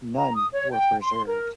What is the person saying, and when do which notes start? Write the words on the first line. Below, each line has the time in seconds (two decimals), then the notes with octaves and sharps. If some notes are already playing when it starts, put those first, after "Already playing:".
None were Preserved.
0.17 A#5
0.35 D#6
0.53 C#5
0.71 G5
1.02 C6
1.26 A#4